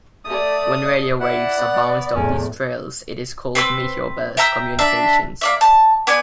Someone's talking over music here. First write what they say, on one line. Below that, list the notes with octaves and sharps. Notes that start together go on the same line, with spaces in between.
When radio waves are bounced off these trails, it is called meteor burst communications.
A3 D5 D#6
E4 D5 F#5
B3
E2 A2 C#4
C4 B4 C#6 E6
E5 G5 A#5 E6
D4 E5
A#3 D5 E5
A5
B3 D5 G#5